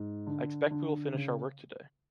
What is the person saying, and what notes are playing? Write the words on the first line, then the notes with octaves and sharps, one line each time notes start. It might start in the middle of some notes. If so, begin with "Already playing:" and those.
I expect we will finish our work today.
Already playing: G#2
D3
D3
D3
C#3